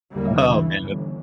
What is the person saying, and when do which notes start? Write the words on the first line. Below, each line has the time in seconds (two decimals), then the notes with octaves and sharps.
Oh, man.
0.13 G1 D#2 G3 A#3
0.46 C#3 E3
0.80 G1